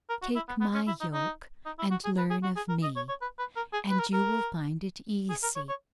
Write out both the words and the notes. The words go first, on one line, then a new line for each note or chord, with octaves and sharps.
Take My yoke and learn of Me, and you will find it easy.
A#4
F#4
E4
B3
B3
C#4
E4
D#4
D#4
D#4
E4
F#4
G#4
B4
G#4
F#4
G#4
A#4
D#5
C#5
C#5
B4
B4
A#4
G#4
B4
A#4
A#4
G#4
A#4
C#5
C#5